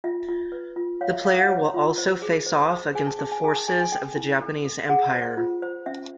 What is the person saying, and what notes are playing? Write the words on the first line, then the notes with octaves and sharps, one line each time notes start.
The player will also face off against the forces of the Japanese Empire.
F4 E5
F4
B4
F4
C#5 F5
E5
A4 F5
F#5
C#5
F4
C5
G#4
C5
C5
G#4 G#5
A5
G#4 A5
G#5
G#4 G#5
A5
G#4 G#5
G#5
A4 G5
E4
A4
A4
G#4 F#5
C5
F4
C5
C#4 E5